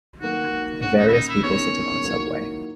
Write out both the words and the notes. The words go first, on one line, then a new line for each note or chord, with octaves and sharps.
Various people sitting on a subway.
D#3 F#3 A#3 F#4
A#2 A#3 C#4 F#4
D#4
E4
D#4
E4
E2 D#3 A#3 C#4 C#5
D#3 F#3 A#3 E4